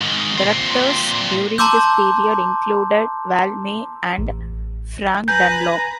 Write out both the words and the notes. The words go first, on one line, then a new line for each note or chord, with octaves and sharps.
Directors during this period included Val May and Frank Dunlop.
G#2 D#3
A#2 C4
A5 A#5 C6 D6 E6 G6
A1
B4 G#5 A#5 G6